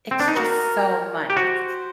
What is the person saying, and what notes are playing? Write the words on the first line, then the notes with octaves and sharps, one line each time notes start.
It's just so much. It's
C4
D4
D#4
F#4 A#4
G4
F#4 C5